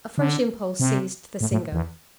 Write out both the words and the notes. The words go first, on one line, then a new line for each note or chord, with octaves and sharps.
A fresh impulse seized the singer.
D3
C3
A2
A2
E2